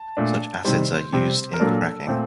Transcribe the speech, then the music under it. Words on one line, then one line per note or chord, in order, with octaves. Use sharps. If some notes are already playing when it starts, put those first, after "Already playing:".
Such acids are used in cracking.
Already playing: A5
A#2 A3 D4
C3 D#3 G3 C5
C3 G3 C4
A#4
A#2 F#3 A#3 D4 A4
A#2 A3 C4